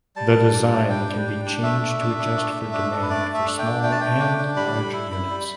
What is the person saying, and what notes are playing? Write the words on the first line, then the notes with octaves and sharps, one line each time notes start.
The design can be changed to adjust for demand for small and large units.
G3 A5
G3
D4
D4
G3 G5
G3
D4
D4
A3 E5
A3
D4
D4
A3
A3
D4
D4 A4
B4
A3 D5
A3
E5
D4
G5
D4
A3 G5
A5
A3 G5
D4
D4
G3 B5
G3
E4
E4
G3